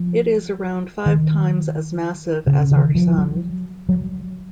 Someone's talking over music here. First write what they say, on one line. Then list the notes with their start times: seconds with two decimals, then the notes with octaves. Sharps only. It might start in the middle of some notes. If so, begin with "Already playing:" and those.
It is around five times as massive as our Sun.
Already playing: F3
1.06 D#3
2.47 C#3
2.71 D#3
2.95 F3
3.18 F#3
3.89 F#3